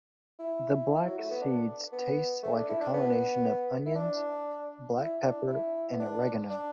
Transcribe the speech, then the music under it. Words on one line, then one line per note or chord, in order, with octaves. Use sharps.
The black seeds taste like a combination of onions, black pepper and oregano.
E4
F#3
A3
B3
D4
B3
A3
D4
E4
D4
B3
E4
D4
E4
D4
E4
B3
D4
D4